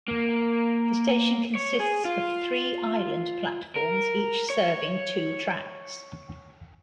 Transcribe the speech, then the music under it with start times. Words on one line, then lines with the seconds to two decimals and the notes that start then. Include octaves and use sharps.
The station consists of three island platforms, each serving two tracks.
0.08 A#3
1.56 C#5
1.80 G#4
2.05 F4
3.76 A#4
4.50 C#5